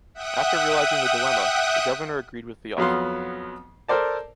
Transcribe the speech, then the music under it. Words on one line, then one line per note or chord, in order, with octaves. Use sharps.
After realizing the dilemma, the governor agreed with the offer.
E5 F#5 G5 D#6 F#6
F2 F#3 B3 F5 C6
A4 A#4 C5 D5 A5